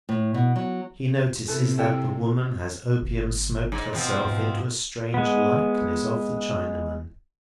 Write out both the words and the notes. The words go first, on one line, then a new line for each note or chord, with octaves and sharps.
He notices that the woman has opium-smoked herself into a strange likeness of the Chinaman.
A2
B2
F#3
C3 E4 A4 B4
E4 A4 G5
G1
G#2
B2 F3 C4
G#2
G#3 B3